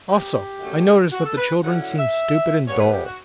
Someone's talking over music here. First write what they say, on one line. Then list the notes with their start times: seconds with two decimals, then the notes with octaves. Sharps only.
Also, I notice that the children seem stupid and dull.
0.08 G4
0.59 F#2 D3 F#3 A3 C#4
1.12 F#4
1.25 A4
1.37 B4
1.63 D3 F#3 C#4 E4 F#5
1.81 F#5
1.98 E5
2.67 C#3 G3 B3 C#5
2.80 B4
2.92 G4
3.05 F#4